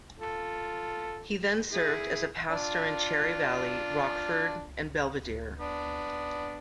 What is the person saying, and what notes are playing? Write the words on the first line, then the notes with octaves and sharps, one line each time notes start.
He then served as a pastor in Cherry Valley, Rockford, and Belvidere.
F4 A4
E4 G#4
D4 F4
B3 D4